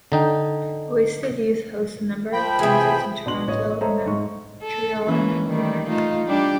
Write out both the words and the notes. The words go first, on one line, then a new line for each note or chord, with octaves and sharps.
"Wasted Youth" hosts a number of concerts in Toronto, Montreal and Vancouver.
D3 D#4 G5
F3 G5 B5
C3 E3 G#4 E5
B2 D4 C6 F#7
A1 C#5 D#5
A4 C5 C#5 D#5 E5 A#5
G#2 C#6
A4
E3 A#3 C#4
D#3 G3 A3
A3 D#4 F4
G3 D4 G4